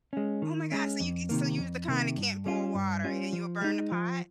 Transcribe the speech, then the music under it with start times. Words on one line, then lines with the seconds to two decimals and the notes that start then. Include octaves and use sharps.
Oh my god, so you can so you're the kind that can't boil water, eh you'll burn the pot?
0.13 G#3 C#4
0.42 D#3
0.72 G#3 C#4
1.00 F2
1.29 C3 D#3 A#3
1.59 F2
1.88 C3 D#3 A#3
2.17 G2
2.46 G3 C#4 F4
2.75 G2
3.04 G3 C#4 F4
3.33 F3
3.61 G#3 D#4
3.92 F3